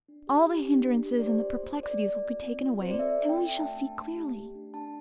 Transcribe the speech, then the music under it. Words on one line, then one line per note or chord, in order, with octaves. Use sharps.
All the hindrances and perplexities will be taken away, and we shall see clearly.
D4
G4
G4
D4
D4
G4
D5
A#3 C5
F4
C5
A#3
A4 D5
A#3
F4
C4
F4
C4 C5
D5
A4 E5
C4
G5
F4
A3 A5
D4
A3
G4
A3
D4
D4 A5